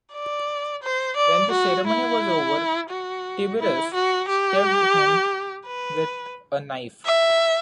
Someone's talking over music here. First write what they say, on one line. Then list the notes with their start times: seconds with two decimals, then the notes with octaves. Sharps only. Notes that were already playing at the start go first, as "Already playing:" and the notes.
When the ceremony was over Tiberius stabbed him with a knife.
0.13 D5
0.83 C5
1.17 D5
1.52 F#4
1.87 E4
2.90 F#4
3.59 E4
3.94 F#4
4.28 G4
5.66 B4
7.05 E5